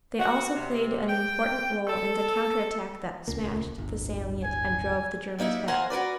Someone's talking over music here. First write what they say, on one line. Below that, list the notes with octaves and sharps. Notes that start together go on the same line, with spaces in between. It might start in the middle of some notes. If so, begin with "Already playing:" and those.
They also played an important role in the counter attack that "smashed" the salient and drove the Germans back.
F#4
C3
G5
A4
D#1 C#2 A#3
D1 G1
G#5
G3 A#3 D#4 E4 E5
A#4 C5 F5 F#5 G#5
F#4 A#4 B4 D5